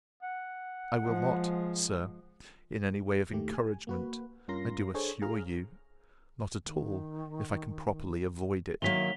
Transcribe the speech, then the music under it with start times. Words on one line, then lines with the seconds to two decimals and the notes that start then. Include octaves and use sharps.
I will not, Sir, in any way of encouragement, I do assure you: not at all, if I can properly avoid it.
0.23 F#5
1.01 F3 G#3
3.31 D#2 D#3 A3 G4
3.54 G#5
3.87 A#3 F#4 B4
4.48 G2 C#4 F4 A#4 C6 A#6
4.94 D4 G#4 A4 C5 C#5
5.22 G#4 F5 A#5 F6
6.65 D#3
8.82 D#3 F#3 A#3 E5 B6 F7 G7